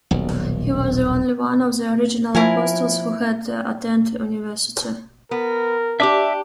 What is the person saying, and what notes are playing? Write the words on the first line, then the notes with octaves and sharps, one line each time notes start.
He was the only one of the original apostles who had attended university.
D#1 B1
F3 E4 A#4 G#5
B3 A#4
D4 G4 E5 D6